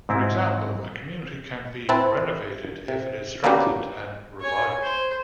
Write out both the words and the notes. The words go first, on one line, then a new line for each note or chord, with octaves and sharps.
For example, a community can be renovated if it is strengthened and revived.
G#2 C4 E4
C4 E4 B4 A5
C3
A#3 B3 C#4 D4 F#4 G4
C#5 G#5
C5